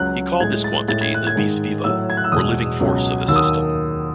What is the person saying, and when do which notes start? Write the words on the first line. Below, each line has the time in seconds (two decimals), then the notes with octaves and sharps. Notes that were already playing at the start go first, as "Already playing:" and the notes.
He called this quantity the "vis viva" or "living force" of the system.
Already playing: C#2 C#3 F#3 F#6
0.40 A2 G#6
0.44 G#3
0.64 A6
0.88 A2 G#3 A6
1.01 G#6
1.14 F#6
1.27 G#6
1.36 G#2 D#3 G#3
1.84 A2 F#3 E6
2.10 G#6
2.17 F#6
2.24 E6
2.32 E2 B2 G#3 D#6
2.80 C#2 B2 F#3
3.28 D#2 D#3 F#3 E6
3.36 D#6
3.44 E6